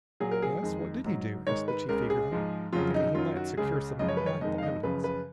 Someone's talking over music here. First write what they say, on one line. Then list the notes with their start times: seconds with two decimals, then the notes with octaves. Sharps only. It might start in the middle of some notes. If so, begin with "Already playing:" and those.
"Yes, what did he do?" asked the chief eagerly, thinking he might secure some valuable evidence.
0.20 A#2 F#3 G#4
0.31 A#4
0.42 G#4
0.62 F2 D#3 G#3
1.04 G#2 F#3
1.47 G#2 D#3 G#3 C#5
1.68 B4
1.89 C#2 C#3 G#3 A#4
2.10 G#4
2.31 G#2 F3 G#3
2.72 F2 C#3 F#3 F4
2.94 D#4
3.15 F#2 D#3 F#3 F4
3.36 F#4
3.57 C#2 C#3 G#3 G#4
3.99 F#2 C#3 F3 G#3 D#5
4.08 C#5
4.17 B4
4.26 C#5
4.41 F2 D#3 G#3 D#5
4.58 F5
4.63 D#5
4.83 F#2 C#3 F3 B4
5.04 B4